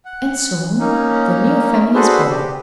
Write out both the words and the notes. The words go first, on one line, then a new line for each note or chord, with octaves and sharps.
And soon the new family is born.
F#5
A#3 C#4 D#4
D4 F#4 G#4 A4 B4 C5
G4